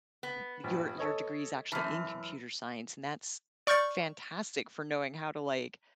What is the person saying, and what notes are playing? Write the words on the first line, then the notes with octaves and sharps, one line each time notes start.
n your your degree's actually in computer science, and that's s fantastic for knowing how to, like,
B3
A#1 G2
A4 C#5 D#5
F#2 E3 A5 F6
D5 C#6 F6 G6 A6 C#7